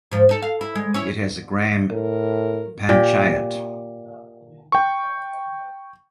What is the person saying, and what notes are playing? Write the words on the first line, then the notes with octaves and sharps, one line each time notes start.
It has a Gram Panchayat.
G#2 F3
D#4 A4
F5
E4
G#3
C#4 E4 C#5
A2 A#4
A#2 G4
G5 C#6